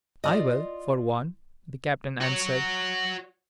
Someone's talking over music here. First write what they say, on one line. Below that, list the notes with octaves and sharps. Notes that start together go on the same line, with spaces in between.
"I will, for one," the Captain answered.
F4 D5 D#5
F#4 C#5